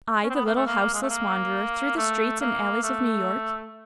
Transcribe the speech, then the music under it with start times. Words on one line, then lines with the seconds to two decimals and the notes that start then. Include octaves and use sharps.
I, the little houseless wanderer through the streets and alleys of New York?
0.24 C#4
0.30 C4
0.35 B3
0.46 A#3
0.56 A3
0.67 A#3
0.93 G#3
1.02 A3
1.10 A#3
1.97 A3
2.40 A#3
2.83 A3